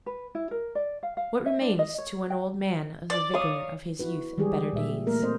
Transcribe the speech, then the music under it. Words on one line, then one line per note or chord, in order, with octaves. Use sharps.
What remains to an old man of the vigour of his youth and better days?
B4
E4
A#4
D5
F5
F5
E5
D4
D#5
C#5
G5
D5
C#5 F5 D#6
E4 F#4 B4
E3 G3 G#3 G4 G#4
A#2 E5
F#3 A3 A#3 A#4
A3 C4 C5 D#5